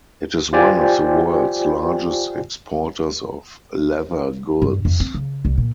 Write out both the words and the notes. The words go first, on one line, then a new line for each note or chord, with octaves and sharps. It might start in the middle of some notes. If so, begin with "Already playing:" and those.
It is one of the world's largest exporters of leather goods.
F4 G4 C5 D5 G5 G#5
G2
F2
C4
C#3
C2
A#2